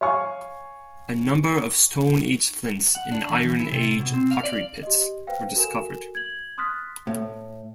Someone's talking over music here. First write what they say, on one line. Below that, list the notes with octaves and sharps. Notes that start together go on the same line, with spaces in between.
A number of Stone Age flints and Iron Age pottery pits were discovered.
C#5 F5 G#5 C#6
F#5
D4
E3
E3
E4
C3
B2
C4
F5
D5
G4 D#5
B4 C5 F5 G5
F#4 A4 A#4 G#5 E7
G#6 F#7
C6 D#6 F6 F#6 A6 B6
A2